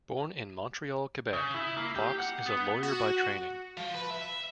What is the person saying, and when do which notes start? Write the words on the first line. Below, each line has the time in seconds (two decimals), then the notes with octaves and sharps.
Born in Montreal, Quebec, Fox is a lawyer by training.
1.33 C#3
1.54 E4
1.77 A#3
1.96 G4
2.19 F#5
2.46 B3
2.83 F#4
3.77 F3
3.95 B4
4.11 E5